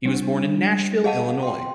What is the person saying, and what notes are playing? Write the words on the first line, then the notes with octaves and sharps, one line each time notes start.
He was born in Nashville, Illinois.
G3 D4
G#4 D#5 F5 F#5 A5 D#7
G5 C6